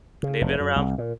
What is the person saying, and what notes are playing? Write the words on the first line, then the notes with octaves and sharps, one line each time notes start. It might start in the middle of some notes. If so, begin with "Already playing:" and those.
And they've been around
C#3
F1
F#2
C2
A#2